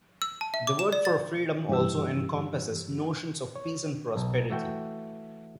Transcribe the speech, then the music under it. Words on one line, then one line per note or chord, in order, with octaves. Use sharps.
The word for freedom also encompasses notions of peace and prosperity.
E6
A5
E5
D6
E7
D5
A6
G2 E3 G4 E6
C#5
B1
E3 A3 F#4 G5